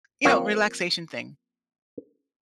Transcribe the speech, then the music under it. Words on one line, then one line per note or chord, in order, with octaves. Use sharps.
you know, relaxation thing.
F3 A#3 C4 C#5